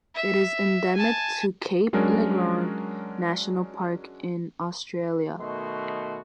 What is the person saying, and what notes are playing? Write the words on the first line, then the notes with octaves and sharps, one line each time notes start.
It is endemic to Cape Le Grand National Park in Australia.
E5
G#5 A5
F#3 G#3 C#4 D4 A#4
B2 D#3 A3 F#4 C6